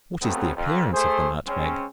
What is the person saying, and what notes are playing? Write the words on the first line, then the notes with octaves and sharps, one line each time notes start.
What is the appearance of the Nutmeg?
F2 C#3 F#3 A3 B3 C4
F2
A3 G#4 C5
C#3 G#3 C4 C#4